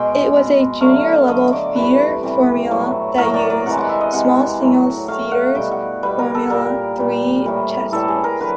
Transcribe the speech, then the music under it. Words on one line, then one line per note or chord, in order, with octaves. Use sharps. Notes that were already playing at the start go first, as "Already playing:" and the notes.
It was a junior-level feeder formula that used small single seater Formula Three chassis.
Already playing: B2 G#3 G5
B2 G#3
D3 F#3 A3 F5
D3 F#3 A3 D#5
D5
C3 E3 G3 B4
C3 E3 G3
A2 F#3 A3
A2 F#3 A3 A#4
D5
D5
C3 E3 G#3 F#5
F#5
E5
D#5
C3 E3 G#3 F#5
A2 F#3 A3
A2 F#3 A3 F5
F#5
B2 G3 G5
F#5
B2 G3 B4
A#4
A4
A#2 G3 A#4
A#2 G3
A2 E3 G3
A2 E3 G3 A4
G#4
A#4
D3 F#3 B4